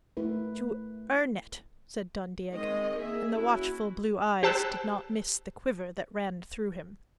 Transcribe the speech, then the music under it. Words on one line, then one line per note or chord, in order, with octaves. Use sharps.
"To earn it?" said Don Diego, and the watchful blue eyes did not miss the quiver that ran through him.
A3 E4 A#4 B4
D#3 G#3 C4 D#5
A#3 G#4 E5
C#4 E4 F#4
G4 C5 A5 E6 F#6